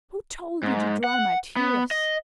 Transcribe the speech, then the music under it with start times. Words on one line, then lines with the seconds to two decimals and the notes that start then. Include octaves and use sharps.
Who told you to dry my tears?
0.63 G#2
1.04 F#5
1.56 B3
1.91 D#5